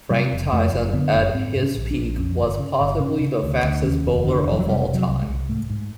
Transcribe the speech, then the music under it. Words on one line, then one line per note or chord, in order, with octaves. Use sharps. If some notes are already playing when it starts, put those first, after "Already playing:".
Frank Tyson, at his peak, was possibly the fastest bowler of all time.
C3 G3
F1
F2 A3
F#1
D3 B3
F#1
G#2 C4
G#2
C#4
A#1
D4
A#1
F2 C#4
G1
C#3
G1
C#3 C#4
C#3
D2
D2
D#2 C#4
F1
D3
F1
F3
F#3
C3 G3
C3
F#3
C2
G#3
C2
G#2 A3
G#2